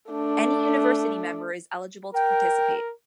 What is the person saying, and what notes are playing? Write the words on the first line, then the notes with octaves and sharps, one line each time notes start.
Any university member is eligible to participate.
A3 D4
A#4 G5